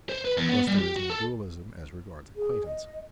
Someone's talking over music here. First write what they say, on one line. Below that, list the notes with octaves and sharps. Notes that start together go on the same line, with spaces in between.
Thus there is no dualism as regards acquaintance.
C5
B4
E2
B3
G3
G4
F#4
A4
G#4
D#5